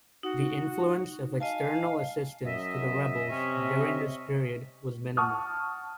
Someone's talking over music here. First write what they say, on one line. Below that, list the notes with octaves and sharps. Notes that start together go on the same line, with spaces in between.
The influence of external assistance to the rebels during this period was minimal.
D#4 F#4
D#5 F5 G#5 A5
F#2 D#5 E5
C3 C#4
F#5 A5 C#6 D#6 F6